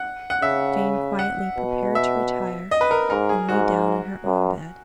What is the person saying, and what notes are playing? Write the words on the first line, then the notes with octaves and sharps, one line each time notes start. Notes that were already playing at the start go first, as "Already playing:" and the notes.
Jane quietly prepared to retire, and lay down in her own bed.
Already playing: F#5
F#5
C#3 E5
F#5
B2
E5
D#5
B4
A#4
G#2 A#4
G#4
G#2 F#4
F#2